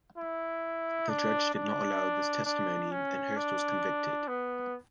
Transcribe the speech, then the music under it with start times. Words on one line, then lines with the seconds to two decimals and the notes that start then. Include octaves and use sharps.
The judge did not allow this testimony, and Hearst was convicted.
0.18 E4
1.09 D4
1.54 D4
2.45 D4
2.91 C#4
3.36 D4
4.28 B3